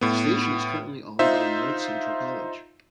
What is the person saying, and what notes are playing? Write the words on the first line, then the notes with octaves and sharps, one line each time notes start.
The station is currently owned by North Central College.
A2 B3
D#4 F4 C5 E5